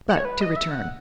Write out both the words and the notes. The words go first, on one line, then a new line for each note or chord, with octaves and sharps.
But to return.
F#5
C#5
B4
D#5
E5
F#5